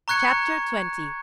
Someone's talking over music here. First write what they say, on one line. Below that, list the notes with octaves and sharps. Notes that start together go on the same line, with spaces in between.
Chapter XX.
A#5 C#6 F#6 G#6 C#7